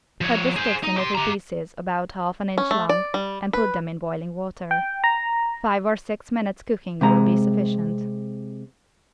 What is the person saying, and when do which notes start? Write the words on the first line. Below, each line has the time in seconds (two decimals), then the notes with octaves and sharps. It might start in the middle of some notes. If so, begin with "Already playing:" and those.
Cut the sticks in little pieces about half an inch long and put them in boiling water. Five or six minutes' cooking will be sufficient.
0.21 F3 C#5
0.56 G#4 C5
0.83 D#4
0.97 G4 C6
1.15 G4 A#5
2.58 C#4
2.71 A3
2.89 D5
3.14 G3
3.53 B4
4.71 G5
5.04 A#5
7.01 C3 G#3 A#5